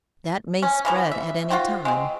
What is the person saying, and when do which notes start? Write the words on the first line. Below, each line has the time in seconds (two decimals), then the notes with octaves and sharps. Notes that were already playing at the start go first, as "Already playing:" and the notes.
That may spread at any time.
0.63 C#4
0.85 C#3 E3 F3
1.11 E5
1.50 F4 F#4 C5 G5
1.85 G#3 C4